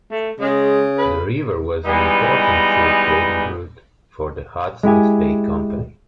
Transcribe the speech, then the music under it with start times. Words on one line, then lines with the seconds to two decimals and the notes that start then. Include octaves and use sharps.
The river was an important fur trading route for the Hudson's Bay Company.
0.10 A3
0.40 C#3 G#3
0.98 B4
1.86 E3 G3 G#3 B3 D#4
4.83 G#3 E4 G4 G#5